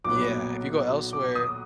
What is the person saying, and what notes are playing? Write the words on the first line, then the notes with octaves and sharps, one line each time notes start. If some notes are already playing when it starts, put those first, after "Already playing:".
Yeah, if you go elsewhere
B1 A#2 F#3 B3 D6
D6
D#6